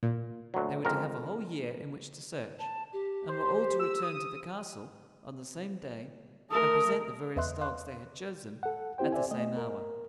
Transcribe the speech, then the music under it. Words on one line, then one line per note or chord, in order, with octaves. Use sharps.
They were to have a whole year in which to search, and were all to return to the castle on the same day, and present the various dogs they had chosen at the same hour.
A#2
D2 F#3
F2 G#2 A#4
A5
G4
C5
E6
D#6
A3 A#4 D#6
E2 B4 D#5 E5 C6 F#6
F5 C6 F#6
A4 F#5
C4 E4 G4 C5 G5
C5 D5 E5 G#5
A3 D#5
A#4